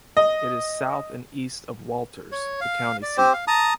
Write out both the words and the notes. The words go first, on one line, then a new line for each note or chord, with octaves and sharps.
It is south and east of Walters, the county seat.
D#5
C#5
F5
D5
C4 G4 C5
F5
A5 A#5 D#6